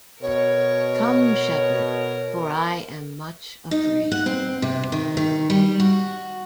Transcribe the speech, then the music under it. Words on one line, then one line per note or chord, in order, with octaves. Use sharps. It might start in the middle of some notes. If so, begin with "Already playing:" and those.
Come, Shepherd, for I am much afraid!
B2 A#4 C#5
D#4
F#5
C4
C3
D#3
D#3
G3
F#4